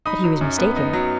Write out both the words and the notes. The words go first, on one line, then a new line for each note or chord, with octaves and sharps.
But he was mistaken.
D#4 B5 D#6
F#3
F#2
B3
D#4
F#3